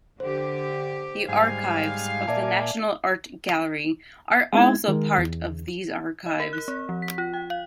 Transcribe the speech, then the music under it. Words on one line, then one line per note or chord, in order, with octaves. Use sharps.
The archives of the National Art Gallery are also part of these archives.
D3 G4 C5
G#2 G3 F5 G#5
A#2 D5 E5 G#5 A5 D6
G#3 B3 C4 D#4 E4 G#6
D#3 G#3 A#4
E2
D#5
A#4
F#6
C4
F3
B6
F4
G5
F5